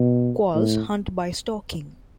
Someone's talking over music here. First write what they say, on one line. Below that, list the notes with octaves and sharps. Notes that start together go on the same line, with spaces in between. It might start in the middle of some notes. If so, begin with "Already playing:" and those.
Quolls hunt by stalking.
Already playing: B2
A2